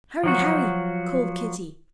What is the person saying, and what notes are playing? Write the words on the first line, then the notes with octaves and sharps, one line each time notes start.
"Hurry, hurry!" called Kitty.
F3 F#3 F#4